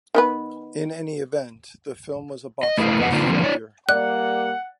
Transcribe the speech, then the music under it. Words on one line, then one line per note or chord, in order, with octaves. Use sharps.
In any event, the film was a box office failure.
D#3 B3 B4
D#5
A3 E4 G#4 A#4 F5
F2 B3 C#4 D#5 F#5
D3 A#3 C4 D4 D#4 F4
D3 F3 G3 A#3 C4
D#4 C#5 D5
G3 A#3 D5 F#5 F#6